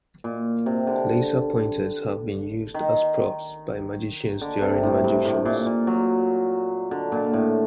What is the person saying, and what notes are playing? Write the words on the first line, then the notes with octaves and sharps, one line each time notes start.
Laser pointers have been used as props by magicians during magic shows.
A#2
C3
D3
D#3
D3
C3
A2
G2
A2
A#2
A#2
F#3
D3
A#2
A2